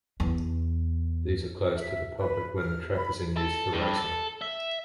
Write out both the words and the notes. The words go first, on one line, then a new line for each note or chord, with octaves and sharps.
These are closed to the public when the track is in use for racing.
E2
E5
B4
F6
B5
A4
G2
A4
E5